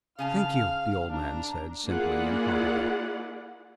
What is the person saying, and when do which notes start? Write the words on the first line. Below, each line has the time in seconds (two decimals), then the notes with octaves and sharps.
"Thank you," the old man said, simply and heartily.
0.19 C#3 F5 G#5 A5 F6
1.09 D4 A#5
1.84 A#3 E4 F4 G#4 D5 F#5